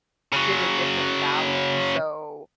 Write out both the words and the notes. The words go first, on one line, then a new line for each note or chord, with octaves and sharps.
did a different balance. So,
C#3 F#3